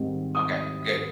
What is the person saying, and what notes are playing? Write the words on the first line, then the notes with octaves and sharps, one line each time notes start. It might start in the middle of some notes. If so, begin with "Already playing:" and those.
Okay, good.
Already playing: G#2 D#3 G3 C4
D#6